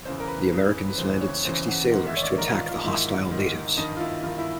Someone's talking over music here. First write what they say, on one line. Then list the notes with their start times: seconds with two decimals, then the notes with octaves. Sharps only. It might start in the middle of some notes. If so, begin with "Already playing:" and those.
The Americans landed sixty sailors to attack the hostile natives.
0.05 E2 C#3 E3 C5
0.20 A#4
0.28 B4
0.52 E2 C#3 E3
0.88 B4
0.98 E2 C#3 E3 C5
1.21 C#5
1.45 E2 C#3 E3 C5
1.68 F#5
1.91 G#2 D#3 F#5
2.07 E5
2.16 C#5
2.22 D5
2.38 G#2 D#3 A#4
2.53 F4
2.69 F4
2.84 G#2 D#3 E4
3.31 G#2 D#3
3.77 G2 D#3 D#4
3.97 F4
4.00 E4
4.23 G2 F4
4.26 D#3
4.38 E4